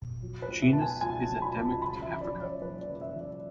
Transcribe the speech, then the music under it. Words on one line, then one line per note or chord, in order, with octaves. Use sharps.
The genus is endemic to Africa.
F#3
B4
C#2
E5
B2 A5
G#5
C#2 G#5
A5
F#3
B5
C#2
A5
C#3 B5
E5
E3
D5
F#2
C#5
F#1 B4
D5
C#3
E5
E3
D5